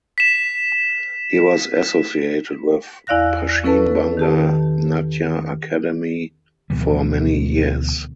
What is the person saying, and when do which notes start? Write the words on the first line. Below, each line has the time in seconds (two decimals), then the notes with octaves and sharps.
He was associated with Paschim Banga Natya Akademi for many years.
0.18 B6 E7
3.07 E2 E4 D5 F5 F#6 A#6
3.64 C#4 E4 A4 B4 A5
4.17 D#3 G4 A5
6.70 D2 B2 E3 G3